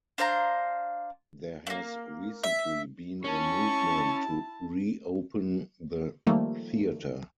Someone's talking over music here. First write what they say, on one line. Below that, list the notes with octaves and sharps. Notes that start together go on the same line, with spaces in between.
There has recently been a movement to re-open the theater.
D4 C5 F5 A#5
A3 A#3
E5
C#4 E4 A5 C#6
D#3 F3 G3 A3 A#3